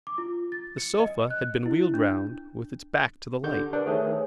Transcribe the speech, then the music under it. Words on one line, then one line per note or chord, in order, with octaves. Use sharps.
The sofa had been wheeled round with its back to the light.
D6
F4
A6
C#7
D#5
F#6
E4
D4
D3 G4 G6
D4 A#4 B4 A5
D#3 A3 G#4 C5 C#5